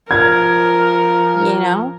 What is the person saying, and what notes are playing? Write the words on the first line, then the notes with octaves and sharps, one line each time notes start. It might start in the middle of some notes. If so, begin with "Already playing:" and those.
You know?
F3 A#4 G#6